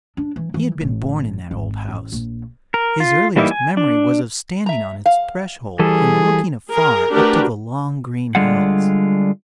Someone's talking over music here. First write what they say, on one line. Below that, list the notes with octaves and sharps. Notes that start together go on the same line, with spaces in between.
He had been born in that old house; his earliest memory was of standing on its threshold and looking afar up to the long green hills.
D4
E3
E3
A1
G#1
A1
A#1
A#4
F4
E3 G3 A#3 D#4 E4
G#5
D4
E5 A#5
F5
E3 G3 G#4 A4
G#4 A#4
A3 D4 F#4 G4 A#4 B4
D3 G3 G#3 F4 F#5